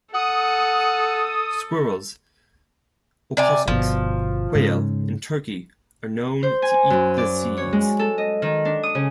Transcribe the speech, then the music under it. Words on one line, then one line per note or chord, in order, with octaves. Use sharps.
Squirrels, opossums, quail, and turkey are known to eat the seeds.
A4 F#5 D#6
C3 D5 G#5
G1 B2 F3
G#2 C#3
C5
G#5
F#2
D5
C#5
G#3
A4
D#5
D#3
D4
D#6
C#3